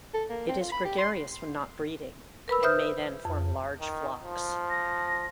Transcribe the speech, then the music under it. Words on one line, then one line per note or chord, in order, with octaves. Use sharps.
It is gregarious when not breeding, and may then form large flocks.
A4
A#3
C4
F4
B5
G4
C6
A#4 B4 B5 E6
B4 C5 E5 D#6 F6 G6
F2
D#3
F3
A#6